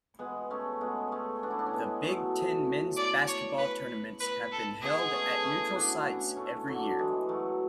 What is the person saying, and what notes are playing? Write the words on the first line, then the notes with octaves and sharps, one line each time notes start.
The Big Ten Men's Basketball tournaments have been held at neutral sites every year.
G#3 B3
A3 C#4
G#3 B3
A3 C#4
B3 D4
E4
D4
C#4
G#3 B3
F#3 A3
D5
C#5
B4
B4
A4
G#3 B3 G#4
A3 C#4
C#4 E4
D4 F#4
C#4 E4
A3 C#4
D3 F#3
E3 G#3
F#3 A3